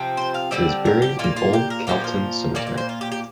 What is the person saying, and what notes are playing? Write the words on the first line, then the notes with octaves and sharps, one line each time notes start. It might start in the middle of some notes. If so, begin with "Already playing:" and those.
He is buried in Old Calton Cemetery.
Already playing: C3 F3 C4
C5
F5
D3 G3 C4 D5
A#4
G4
A#2 A#3 F4
F4
G4
A#4
A#2 F3 A#3 G4
F4
A#2 A#3 D5
D5
C5
F4
G4
G4